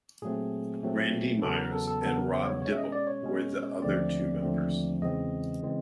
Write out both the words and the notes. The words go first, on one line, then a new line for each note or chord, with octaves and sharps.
Randy Myers and Rob Dibble were the other two members.
A#2 F#3 A3 C4 G#4
A#2 F#3 A3 C4
E2 C#3 F#3 B3 A4
A#4
A4
A4
E2 C#3 F#3 B3 A4
A#4
C5
C#5
B2 G#3 C#4 C#5
E5
D#5
D5
C#5
B2 G#3 C#4
D#2 D3 F3 A3 C4 D5
D#2 D3 F3 A3 C4
E2 C#3 E3 G#3 C4 D#5
C#3 E3 G#3 C4